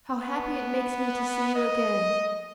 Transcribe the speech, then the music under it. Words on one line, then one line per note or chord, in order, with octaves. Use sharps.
How happy it makes me to see you again!
B3
D#5